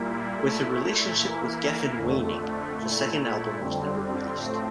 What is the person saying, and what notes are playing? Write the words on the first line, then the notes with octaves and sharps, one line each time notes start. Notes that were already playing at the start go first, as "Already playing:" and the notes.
With their relationship with Geffen waining, the second album was never released.
Already playing: A#2 G3 A#3 E4
A#2 A3 E4
E3 A#3 E4
F2 D3 A3
A#2 A3 E4
F2 D3 G3 C4
A2 F3 A3 C4